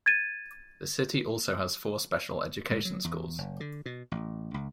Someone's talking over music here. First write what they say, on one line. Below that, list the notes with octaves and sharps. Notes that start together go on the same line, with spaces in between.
The city also has four special education schools.
G#6 A6 D#7
G#2
F#3
E2
F#1
D3
B2
A1
C#2